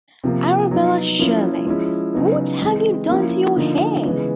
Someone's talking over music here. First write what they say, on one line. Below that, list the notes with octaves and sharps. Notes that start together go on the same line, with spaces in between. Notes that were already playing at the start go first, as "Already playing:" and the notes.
Arabella Shirley, what have you done to your hair?
C3 F3 A#3
F#3 B3 D#4
F3 A#3 C#4 E4
F3 G#3 C#4 E4
C#3 F#3 B3 D#4
E3 G#3 C4
F3 A#3 C#4 E4
D3 F3 A#3 D#4
C#3 E3 G#3 B3